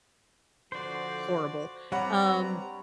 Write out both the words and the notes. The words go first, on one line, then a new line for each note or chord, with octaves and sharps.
horrible. Um
D3 F3 F#4 C5 D5
G2 G3 C4 C#5 D5 F#5 A#5 B5